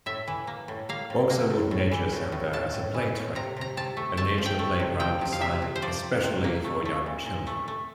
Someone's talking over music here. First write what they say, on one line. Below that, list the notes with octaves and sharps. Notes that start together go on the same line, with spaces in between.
Boxerwood Nature Center has a PlayTrail, a nature playground designed especially for young children.
A2 E5
E3
A#3
A2
A#3 F5
A2
A#3
A2
A2
E3
A2
A2
A2 A5
A2
E3
A2
C3 A#5
C3 A#5
C3 A5
A3
A3 A5
F3
G5
A3
C3
F3 G5
C3
F5
C3 E5
C3
C5
F3 D5
C3
C3
A#3
A3
A3
A#2
A#2
A3
A3